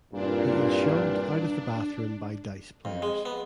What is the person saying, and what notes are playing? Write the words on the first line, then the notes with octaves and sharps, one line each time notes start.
He is shoved out of the bathroom by dice players.
C2 G2 A#2 D4
F2
G#3
B3